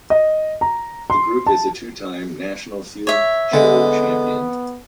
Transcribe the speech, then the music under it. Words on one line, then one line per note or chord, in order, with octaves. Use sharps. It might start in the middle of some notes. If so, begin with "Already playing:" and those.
The group is a two-time national field show champion.
D#5
A#5
C6
A5
C#5 E5
D3 G#3 B3